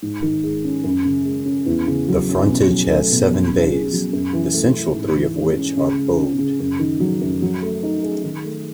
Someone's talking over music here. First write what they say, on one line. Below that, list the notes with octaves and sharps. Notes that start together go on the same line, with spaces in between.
The frontage has seven bays, the central three of which are bowed.
G#2
D#3
G#3
C#4
F#2
C#3
G#3
C#4
E2
C#3
F#3
C#4
B2
F#3
A3
B2
F#3
C#4
G#4
F#3
F#2
E3
A3
E4
G#2
E3
G#3
C#4
C#3
G#3
C#4
C#3
F#2
D#3
F#3
F#2
F#3
A3
D#4
G#4
D#3
A3